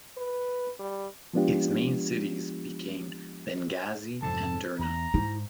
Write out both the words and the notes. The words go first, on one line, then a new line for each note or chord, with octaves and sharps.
Its main cities became Benghazi and Derna.
B4
G3
F3 G#3 B3 D4 F4 G4
F2 G#2 C3 A4 A5
E2 A#5
G#2 E4